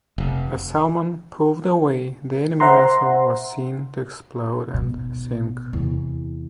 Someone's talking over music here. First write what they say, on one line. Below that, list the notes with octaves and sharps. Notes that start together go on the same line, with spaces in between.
As "Salmon" pulled away, the enemy vessel was seen to explode and sink.
F1
C5 E5 F#5 A#5 C6
G#1 B2
E2 C3